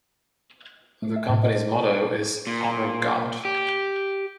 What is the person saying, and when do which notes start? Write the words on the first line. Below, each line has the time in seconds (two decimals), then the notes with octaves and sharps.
The Company's motto is "Honour God".
1.02 A3
1.16 E5
1.29 A2
1.43 D#5
1.55 C5
2.47 A#2
3.45 G4